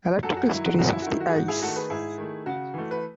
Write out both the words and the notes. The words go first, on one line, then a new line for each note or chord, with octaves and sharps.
Electrical studies of the eyes.
F#2 F#4 A4
F#4
D#3 F#3 E4
F#4
F#2 F#4
E4
F#4
D#3 F#3 E4
F#4
G#4
G#2 F#4
E4 G#4
D#3 A3 F#4 A4
G#4 B4
G#2 E4 G#4
D#3 A3
C#3 F#4
E3 A3
B4